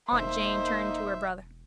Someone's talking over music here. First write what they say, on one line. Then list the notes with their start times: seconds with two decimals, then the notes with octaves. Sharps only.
Aunt Jane turned to her brother.
0.12 E1 A#3 D#4 C5 E5